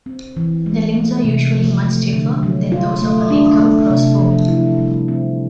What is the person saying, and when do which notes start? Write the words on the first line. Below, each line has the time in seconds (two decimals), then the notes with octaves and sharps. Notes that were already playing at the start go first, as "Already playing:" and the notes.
The limbs are usually much stiffer than those of a recurve crossbow.
0.06 C4
0.37 E3
0.66 G#3
0.95 A3
1.24 C3
1.55 F3
1.84 A3
2.13 D3
2.43 F#3
2.72 F4
3.02 A3
3.30 D4
3.60 A3
3.91 C3
4.19 F3
4.48 E4
4.79 G3
5.08 C4